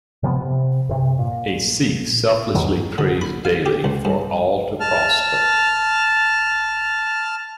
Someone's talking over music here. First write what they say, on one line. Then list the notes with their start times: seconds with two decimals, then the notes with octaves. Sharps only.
A Sikh selflessly prays daily for "all to prosper"'.
0.23 C3 F3 F#3 B3
0.40 C3
0.89 G2 C3
1.19 A#2
2.54 E2 G2 D#3 F#3
2.98 D3
3.21 B5
3.45 F5
3.66 G4
3.84 C#2
4.05 G2
4.80 A5 F6